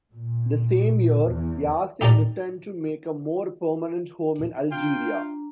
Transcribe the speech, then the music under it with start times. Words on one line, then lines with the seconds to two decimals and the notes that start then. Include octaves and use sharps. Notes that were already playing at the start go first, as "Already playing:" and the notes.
The same year Yacine returned to make a more permanent home in Algeria.
0.12 A#2
1.25 E2
2.01 D#4 G4 A4 D5 A#5
4.71 D4 F4 G5 A#5